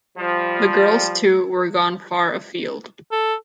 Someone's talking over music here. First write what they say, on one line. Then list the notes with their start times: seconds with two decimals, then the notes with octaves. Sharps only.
The girls, too, were gone far afield.
0.17 F3 G3
3.12 A4